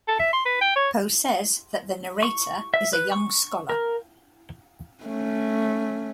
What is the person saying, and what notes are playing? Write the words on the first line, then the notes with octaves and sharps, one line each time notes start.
Poe says that the narrator is a young scholar.
A4
E5
C6
B4
G5
C#5
C#6
E5
B4
C#6
A#4
A3 C#4